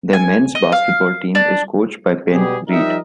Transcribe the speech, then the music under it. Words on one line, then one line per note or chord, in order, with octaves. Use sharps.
Their men's basketball team is coached by Ben Reed.
G#5
D#5
F5
D4
B2 G3 B3 G4 G#4
F3 G3 D#4 A#4 D#5 E5